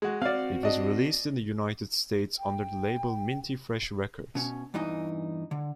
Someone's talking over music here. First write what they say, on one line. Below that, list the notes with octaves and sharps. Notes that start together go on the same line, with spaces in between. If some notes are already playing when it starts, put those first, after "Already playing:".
It was released in the United States under the label Minty Fresh Records.
G#3 F#4
C4 F#4 D5 F5
D4 D#5
G5
B2 C#4
E2 G2 E3 D#4 D#5
D3